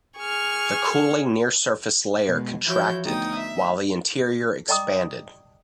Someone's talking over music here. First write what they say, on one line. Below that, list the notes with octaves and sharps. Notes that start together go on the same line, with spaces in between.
The cooling near-surface layer contracted, while the interior expanded.
G#4 C#6 F6
B2 G#3
E3 F3 E4 F#4 C#5 G6
D2 B3 D#4 G5 D#6
E5
D5 D#5 G5 A#5 D6 D#6